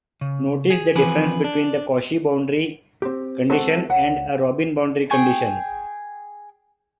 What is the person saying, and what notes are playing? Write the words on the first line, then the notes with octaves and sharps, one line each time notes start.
Notice the difference between a Cauchy boundary condition and a Robin boundary condition.
C#3
G#4
E3 F3 C4 B4 G#5
D4
C4 G4
G#3 C4 F#4 A4 D#5 E5
C#2 F#5
G#4 G5 C#6